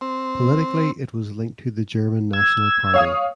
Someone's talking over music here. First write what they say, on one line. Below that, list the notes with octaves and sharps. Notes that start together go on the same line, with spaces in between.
Politically it was linked to the German National Party.
C4
E6 G#6
C#5 F5 D#6